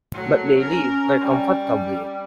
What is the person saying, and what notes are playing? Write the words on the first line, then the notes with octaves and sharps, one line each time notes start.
But they live very comfortably.
F#3 A3
C#4 A#4
G3